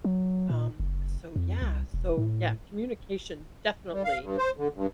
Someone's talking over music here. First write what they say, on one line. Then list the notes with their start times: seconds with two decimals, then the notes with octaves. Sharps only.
Um, so, yeah, so, yeah, communication definitely,
0.05 F#3
0.50 A#2
0.80 F#1
1.36 F2
1.62 C2
1.94 E1
2.17 A2
3.92 G3
4.05 F5
4.22 G2
4.38 C5
4.57 D3
4.74 G2